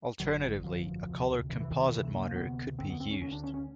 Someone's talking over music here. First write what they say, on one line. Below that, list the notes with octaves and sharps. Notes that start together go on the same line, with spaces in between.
Alternatively, a color composite monitor could be used.
G#1 F#2 D3 F#3
G#1 F#2 D3 F3
E1 D2 C3
E1 D2 C3 E3
E3
D#3
E3
D2 C3 E3
A#3
D2 C3 B3
D2 D3 C4
B3
C4
C#4
D2 D3 C#4
D4
C#4
C#4